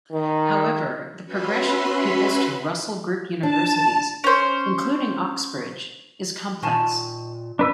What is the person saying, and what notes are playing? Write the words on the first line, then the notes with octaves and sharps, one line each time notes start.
However, the progression of pupils to Russell Group universities, including Oxbridge, is complex.
D#3
C#4 F#4 B4 E5 B5 C6
D4 A5
C#4 C5
A#2 D#3 G#5 A5
D4 B4 E6